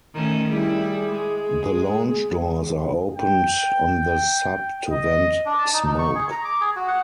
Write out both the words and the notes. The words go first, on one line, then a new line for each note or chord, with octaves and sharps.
The launch doors are opened on the sub to vent smoke.
D#3 A3 C#4
G3 E4 G#4
G#3
G5
D#5
D4
A5
D#4
D#4
C#6
G#4
A#5
D6
G#4
F#4
F#5